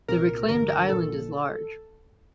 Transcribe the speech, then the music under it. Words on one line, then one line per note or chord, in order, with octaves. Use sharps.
The reclaimed island is large.
C2 A#2 A#4
A1 G2 D3 A#4
A#4
A#1 A#2 A4